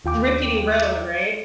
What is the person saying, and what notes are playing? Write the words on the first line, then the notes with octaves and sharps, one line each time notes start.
rickety road, right?
D#2 F4 G5 D6